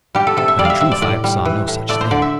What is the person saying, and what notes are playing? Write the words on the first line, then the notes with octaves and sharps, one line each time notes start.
But in truth I saw no such thing.
G3 G4
A4
C3 A4
E5
G3 D5
E5 F5
C3 E5
D5
A2 D5
G3
E3
A2
A3 D5
C5
D3 D5
E5